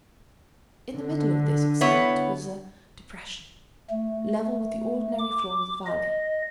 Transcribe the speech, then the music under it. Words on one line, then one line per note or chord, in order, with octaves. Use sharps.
In the middle of this extent was a depression, level with the ordinary floor of the valley.
D3
B3 E4 C#5
A3
D6
D#5